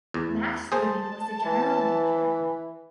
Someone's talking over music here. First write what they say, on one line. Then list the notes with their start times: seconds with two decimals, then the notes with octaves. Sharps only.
Max Libby was the General Manager.
0.14 E2
0.72 G#4 C5 A5
1.46 E3